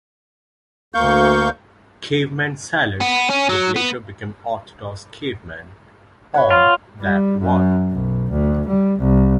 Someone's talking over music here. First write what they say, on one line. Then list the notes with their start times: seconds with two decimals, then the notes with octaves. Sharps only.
"Caveman Salad" would later become "Orthodox Caveman" on "Black One".
0.94 D2 A#3 F5 C#6 G6
3.01 B3
3.30 C#4
3.49 F#3
3.76 B3
6.34 C#5 F#5 B5
6.50 F4
7.00 G3
7.41 F#2
7.91 B1
8.31 D2
8.68 G3
8.99 C2